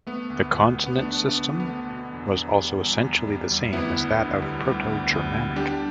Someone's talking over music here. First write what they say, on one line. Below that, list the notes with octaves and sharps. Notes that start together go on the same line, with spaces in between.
The consonant system was also essentially the same as that of Proto-Germanic.
A3 B3
D2
D2
D2
B3
A3 D4
D2
B3
D2
B3
D3
B2
E2
E2
G3
E2
E2
G3
E2
D2 B3 E4
D2
D3
G3
D2
D2
D2
G3
G3 D4 G4